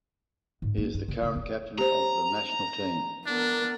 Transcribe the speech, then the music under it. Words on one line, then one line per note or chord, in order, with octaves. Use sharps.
He is the current captain of the national team.
G#2
A#3
G2
C#3
C#3
E1
G4 C5 A#5
B3 D4 A#4